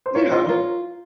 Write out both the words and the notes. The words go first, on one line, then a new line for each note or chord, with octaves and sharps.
you know,
C5
F4 A#4 C#5
F4 C5 D#5
F4 A#4 C#5